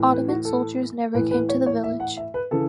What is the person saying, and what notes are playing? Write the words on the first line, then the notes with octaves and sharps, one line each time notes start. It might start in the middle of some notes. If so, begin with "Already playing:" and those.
Ottoman soldiers never came to the village.
Already playing: A2 E3
B4
F#4
A4
A2 E3 B4
B4
C#5
C#5
E5
F#5
E5
B4
C#3 E3 A4